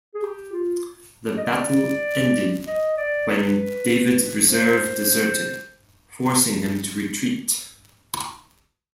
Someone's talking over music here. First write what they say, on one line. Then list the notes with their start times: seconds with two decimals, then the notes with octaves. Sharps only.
The battle ended when David's reserve deserted, forcing him to retreat.
0.15 G#4
0.22 G4
0.52 F4
1.37 D#5
1.44 D5
2.67 D#5
2.98 D5
3.28 B4
4.51 C5